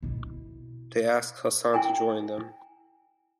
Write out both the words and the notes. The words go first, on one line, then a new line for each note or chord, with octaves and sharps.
They asked Hassan to join them.
B2 E4
E4 G5 G#5 A#5